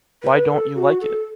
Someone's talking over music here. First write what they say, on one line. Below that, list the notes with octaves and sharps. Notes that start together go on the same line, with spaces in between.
Why don’t you like it?
B4
B4
A4
F#4
A4